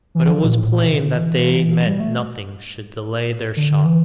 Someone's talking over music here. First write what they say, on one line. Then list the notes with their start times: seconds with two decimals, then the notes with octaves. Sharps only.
But it was plain that they meant nothing should delay their shot.
0.15 E3
0.25 E3
0.30 F3
0.44 A#2
0.58 A2
0.73 A#2
0.86 C3
1.00 D3
1.15 E3
1.86 G3
2.00 A3
3.57 D3
3.70 D3
3.84 E3